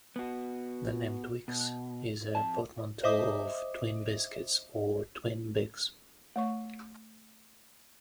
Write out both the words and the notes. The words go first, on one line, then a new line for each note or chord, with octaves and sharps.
The name Twix is a portmanteau of twin biscuits, or 'twin bix'.
B3 F#4
B2
F2 A5
C5 D#5 E5 D6 D#6
A3 C#5 C#6